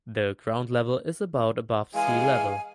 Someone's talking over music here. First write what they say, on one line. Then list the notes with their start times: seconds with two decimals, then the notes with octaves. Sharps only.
The ground level is about above sea level.
1.94 E3 G#3 F5 G#5